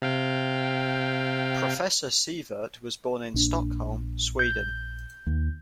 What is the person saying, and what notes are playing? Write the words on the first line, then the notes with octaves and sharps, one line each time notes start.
Professor Sievert was born in Stockholm, Sweden.
C3 F5 G5
A#1 D4
G6
D#2